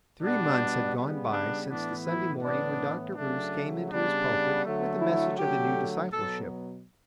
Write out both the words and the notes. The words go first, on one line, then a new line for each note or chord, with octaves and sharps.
THREE months had gone by since the Sunday morning when Dr. Bruce came into his pulpit with the message of the new discipleship.
B2 G3 B3 D4
C#3 G3 B3
D4
A2 E3 B3 D4
E4
A2 E3 B3 D4
C#3 F#3 A3 D4
C#3 G3 B3 D4
D3 F#3 A3
E4
D3 F#3 A3 G4
B2 F#3 B3 A4